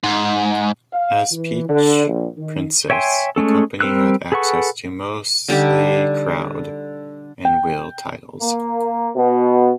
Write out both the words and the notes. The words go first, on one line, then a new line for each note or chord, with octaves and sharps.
As Peach Princess, the company had access to mostly Crowd and Will titles.
G#2
F5
E3
D3
A#1
D#3
C#5 E5 G5 G#5 C6
G#3 A3 C#4 A4
G3 C4 A#4 E6 F#6
G#4 A4 B4 F#5 C#6
D3 G3 D#4 G4
G5
A#3
B2